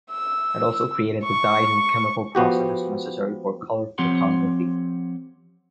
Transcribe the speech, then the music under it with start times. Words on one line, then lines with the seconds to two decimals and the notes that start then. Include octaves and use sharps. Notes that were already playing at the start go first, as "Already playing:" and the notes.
It also created the dyes and chemical processes necessary for color photography.
0.11 E6
1.24 C#6
2.35 F3 B3 F#4 G4
3.98 F3 C4 G4 C#5 F#5 C6